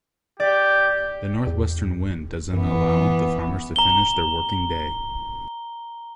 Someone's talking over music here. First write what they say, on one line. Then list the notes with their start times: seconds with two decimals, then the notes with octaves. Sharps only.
The northwestern wind doesn’t allow the farmers to finish their working day.
0.40 G4 D5
1.47 E2
2.53 F#2 E3 B3
3.76 A#5 G7